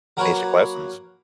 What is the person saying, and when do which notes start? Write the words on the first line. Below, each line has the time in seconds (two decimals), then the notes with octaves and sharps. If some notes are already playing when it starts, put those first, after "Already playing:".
basic lessons,
0.17 F#3 A#3 F#4 A#4 B4 C#5